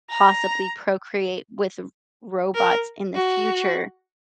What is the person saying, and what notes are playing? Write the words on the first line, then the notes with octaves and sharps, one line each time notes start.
possibly procreate with r robots in the future.
A#5
A#4
F#4